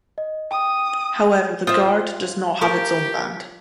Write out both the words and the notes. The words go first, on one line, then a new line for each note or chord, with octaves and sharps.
However, the Guard does not have its own band.
D#5
G5 D#6
F4 C5 E5 D#6
G4 A4 A#4 C#6 D7